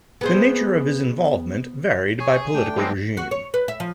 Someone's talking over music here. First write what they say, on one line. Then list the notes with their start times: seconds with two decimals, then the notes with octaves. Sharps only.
The nature of his involvement varied by political regime.
0.21 B3 G#4 C5
2.20 G#4 C#5
2.54 A3 D4 G5
2.77 E3 F#3 G#3 B3 C4
3.17 F#4
3.31 C#5
3.54 B4
3.68 E5
3.80 F3